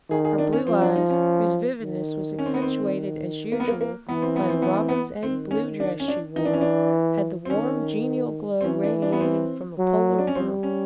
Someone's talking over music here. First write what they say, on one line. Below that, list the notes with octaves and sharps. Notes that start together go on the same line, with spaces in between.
Her blue eyes, whose vividness was accentuated as usual by the robin's egg blue dress she wore, had the warm genial glow radiating from a polar berg.
D#3 G#4
G#4
D4
C#4
F3 C4
D4
D#4
C#4
D#3
C#4
C4
B3
C4
A#3
B3
A#3
A#3
E3 B3
C4
B3
C4
B3
C4
B3
D#3 C4
C#4
D4
C#4
D4
E3 D#4
D4
C#4
D4
C4
D#3 C#4
C4
E3 C#4
D4
D4
B3
C4
F#3
D4
C#4
G3 C4
C#4